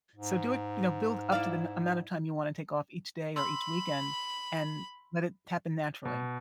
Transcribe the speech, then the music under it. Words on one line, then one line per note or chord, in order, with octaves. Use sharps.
So do it, you know, build up to the n amount of time you wanna take off each day or each weekend, and let it happen naturally.
G#2
E4 D5 F5
B5 C6 E6
B2